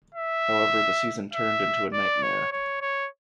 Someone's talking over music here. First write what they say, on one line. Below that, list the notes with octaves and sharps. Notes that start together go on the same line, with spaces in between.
However, the season turned into a nightmare.
E5
E5
D5
C#5
C#5
C#5